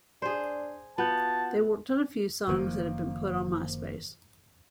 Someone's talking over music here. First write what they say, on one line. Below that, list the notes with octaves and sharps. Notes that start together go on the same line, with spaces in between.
They worked on a few songs that have been put on MySpace.
D4 G#4 C5
B3 F4 F#4 F#5 A5 G6
F#1 D#3 F3 A#3